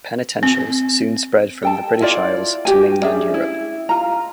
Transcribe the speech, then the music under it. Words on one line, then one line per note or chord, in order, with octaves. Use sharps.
Penitentials soon spread from the British Isles to mainland Europe.
C4
A4 G5 A5
E4 F4 D5
F#4 G4 G#5
C#4 D4 G#4 E5
E4
F4 A#5